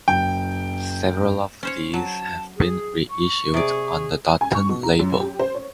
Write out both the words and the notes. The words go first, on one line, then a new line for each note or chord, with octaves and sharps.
Several of these have been reissued on the Dutton label.
F#1 G5
C#4 C5 C#5
F#3 A5
G#4
C#6
C3 G#4 D5
G#5
C#6
B2
A#5
F#2
G4
C5
C#5